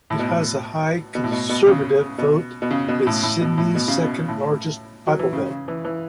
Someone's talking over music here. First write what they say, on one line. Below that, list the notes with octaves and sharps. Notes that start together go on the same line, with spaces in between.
It has a high conservative vote and is Sydney's second largest bible belt.
A2
B2
A2
B2
A2
B2
B2
C#3
B2
B2
C#3
B2
A2
A2
B2
A2
B2
C#3
B2
A2
F#3
E3
C#3
C#3
E3
E3